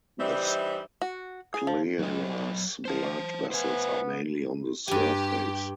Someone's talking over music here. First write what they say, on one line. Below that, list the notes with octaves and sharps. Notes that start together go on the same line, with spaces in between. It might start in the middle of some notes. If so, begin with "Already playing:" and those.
The sclera's blood vessels are mainly on the surface.
E3 G3 D4 D#4 C5 E5
F#4
G#4
F3
F#3 D#5
C5 A5
B3 C5 E5 G#5
G2 G4 G#5